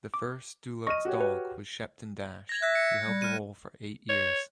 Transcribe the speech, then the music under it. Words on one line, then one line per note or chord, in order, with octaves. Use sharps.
The first Dulux dog was Shepton Dash, who held the role for eight years.
D6
D#5 C#6 F6 A#6 D#7
F#4 G4 C#5
B4
G#6 A#6
E5 F#6 A#6
C#7
G3
F6 D#7
C#5